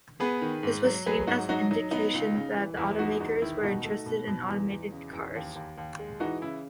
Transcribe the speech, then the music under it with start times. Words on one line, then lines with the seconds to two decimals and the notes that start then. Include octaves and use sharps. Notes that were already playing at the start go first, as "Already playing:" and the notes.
This was seen as an indication that the automakers were interested in automated cars.
0.20 B3 G#4 B4
0.42 D#3
0.63 G#2
0.84 F#3
1.06 F#3 G#4 B4
1.27 G#2 D#4 F#4
1.49 F#3 D#4 F#4
1.71 F#3 D#4
1.91 B3 D#4
2.14 C#2
2.35 C#3
2.56 E3
2.77 E2 E4
2.99 G#3 D#4 F#4
3.20 E2 D#4 F#4
3.42 D#3 E4
3.63 B2 D#4 F#4
3.85 A3
4.06 B2
4.27 B2
4.48 E2
4.70 E2
4.92 C#3
5.13 E2
5.35 D#2
5.56 D#2
5.78 D#2
5.99 G#3
6.20 E3 D#4 F#4
6.42 C#3 E4